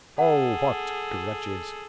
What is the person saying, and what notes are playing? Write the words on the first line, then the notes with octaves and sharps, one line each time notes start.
Oh, what grudges!
G#4 A4 F#5